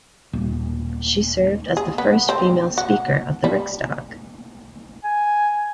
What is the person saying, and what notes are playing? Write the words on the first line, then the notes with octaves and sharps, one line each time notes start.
She served as the first female Speaker of the Riksdag.
D#1
G#4
B3
C4
F#4
G3
G#5